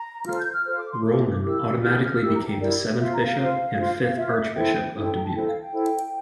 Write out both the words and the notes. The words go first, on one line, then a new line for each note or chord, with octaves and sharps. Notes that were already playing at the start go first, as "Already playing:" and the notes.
Rohlman automatically became the seventh bishop and fifth archbishop of Dubuque.
Already playing: A#5
F4 A4 C5 F6
G6
F6
F4 A4 C5 F6
D6
C6
F4 A4 C5 D6
D6
E4 G4 A#4 E6
E6
E4 G4 A#4 F6
E4 G4 A#4 E6
A#5
G5
E4 G4 A#4 D5
F4 C5 E5
A#5
F5
F4 C5
F4 C5
F4 C5 E5
E4 A4 C5 G5
E4 A4 C5
A#5
A5
E4 A4 C5 G5
F5
G5
E4 A4 C5